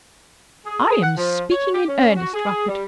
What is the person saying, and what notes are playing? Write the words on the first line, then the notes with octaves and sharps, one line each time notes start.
I am speaking in earnest, Rufford.
G#4
G#4
F#5
F3
C#5
G4
C#4
F#4
G#4
G3